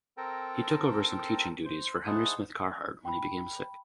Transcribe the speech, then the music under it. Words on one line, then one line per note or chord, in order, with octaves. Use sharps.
He took over some teaching duties for Henry Smith Carhart when he became sick.
C4 A4 A#4 G5 A5 A#5
C5
D#4 E4 G#4 C5 F#5 A5
G5 B5